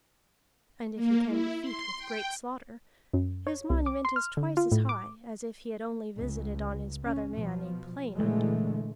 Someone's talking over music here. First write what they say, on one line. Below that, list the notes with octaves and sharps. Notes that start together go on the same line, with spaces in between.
And if he can "defeat with great slaughter" his monument is twice as high as if he had only visited on his brother man a plain undoing.
A#3
E4
C6
G5
F#2
C#5
C2
D6
C6
F6
D3
F4
A2
D6
C#2
C#4
B2 F3
A#2 D3 E3 G#3 A3